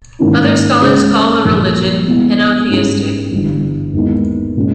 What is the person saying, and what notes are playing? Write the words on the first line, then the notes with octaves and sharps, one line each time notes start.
Other scholars call the religion henotheistic.
G#2 D#3 A#3 C#4 E4
C#3 G#3 C#4 G#4 C#5
A#1 A#2 G3 A#3
B2 G#3 B3 E4
G#2 G3 C#4 E4 G#4
G1 G2 E3 G3
D#2 D#3 G#3 B3 E4
A#2 G#3 C#4